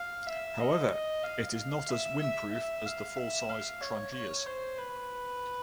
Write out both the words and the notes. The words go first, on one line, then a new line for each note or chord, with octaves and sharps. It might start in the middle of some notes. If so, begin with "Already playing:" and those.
However, it is not as windproof as the full-size Trangias.
Already playing: F5
E5
D#5
D#5
F5
F5
E5
E5
E5
F5
E5
F5
C#5
C#5
C5
B4